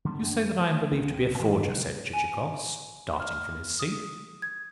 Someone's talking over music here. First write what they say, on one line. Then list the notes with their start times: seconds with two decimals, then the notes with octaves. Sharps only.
"You say that I am believed to be a forger?" said Chichikov, starting from his seat.
0.05 D3 G3 B3
0.21 F#2 D4
0.61 A3
0.91 C#2 C#3 C4
1.39 A2 D#3 G#3 B3
1.65 B2 D3 F3 F#3
2.13 G#5
3.20 F6
3.79 D#6
4.42 G#6